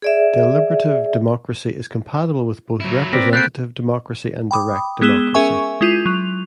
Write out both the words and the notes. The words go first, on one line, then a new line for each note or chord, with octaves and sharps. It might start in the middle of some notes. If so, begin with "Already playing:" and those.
Deliberative democracy is compatible with both representative democracy and direct democracy.
G#4 D5 E5
F#3 E4
C4 A#4 B4 D5
A#3 A4 B5 F#6 G6 D7
G5 B5 D6 D#6
G#3 B3 G#4 E6 E7 G7
C#4 G#4 A#4 E5 G#5 C#6
G#3 E4 F4 G6 D#7
F#3 F7